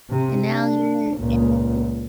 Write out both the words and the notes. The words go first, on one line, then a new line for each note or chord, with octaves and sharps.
And now you're in the field.
C3
D4
C#2 A#2